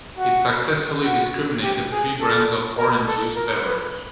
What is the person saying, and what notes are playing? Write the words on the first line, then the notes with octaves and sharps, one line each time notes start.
It successfully discriminated three brands of orange juice beverage.
F#4
F#4
G4
G#4
A4
A#4
A4
A#4
B4